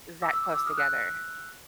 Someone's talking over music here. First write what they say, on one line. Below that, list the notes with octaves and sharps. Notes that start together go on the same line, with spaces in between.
that close together.
D6 E6
D6 E6
D6 E6
D6 E6
D#6 F6
E6 F#6